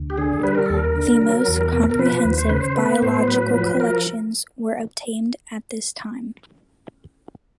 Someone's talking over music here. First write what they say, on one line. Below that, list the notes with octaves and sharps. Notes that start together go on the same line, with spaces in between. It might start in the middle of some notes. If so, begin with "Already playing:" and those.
The most comprehensive biological collections were obtained at this time.
Already playing: D2
G4
D3 G#4
G3 B4
A#4
D#2 A4
A#4
D3
F#3
E2
B2
A#4
F3 B4
D#2
C5
C#3 B4
C5
B3 B4
A2 C5
F#3 B4
F3 B4
A#4